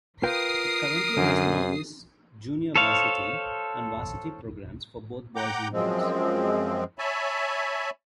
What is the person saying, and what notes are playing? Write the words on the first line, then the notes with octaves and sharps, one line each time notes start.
It currently has Novice, Junior Varsity, and Varsity programs for both boys and girls.
F4 A#4 B4 G5 D#6 C7
F#2 D3
A4 C5 C#5 F5
F#5 G5 A#5 D6 G6
F#2 F3 G#3 C4
C#5 E5 G#5 A5 B5